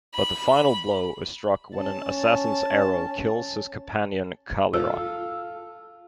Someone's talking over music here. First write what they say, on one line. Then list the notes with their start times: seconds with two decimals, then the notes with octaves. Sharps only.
But the final blow is struck when an assassin's arrow kills his Companion Kalira.
0.14 B5
1.76 C#4 A5
4.74 F4 A4 E6